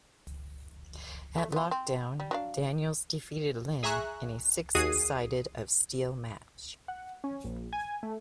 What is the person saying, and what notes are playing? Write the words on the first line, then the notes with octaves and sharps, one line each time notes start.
At Lockdown, Daniels defeated Lynn in a Six Sides of Steel match.
A3
B3 F4
C4
G3
F#3 D4 F5
G#4 E5 G#5 A#5 C#6 F#6
D#2 F#4 G#4 D#6 C7 D#7
F#5
C#4
A#1
G#5
A3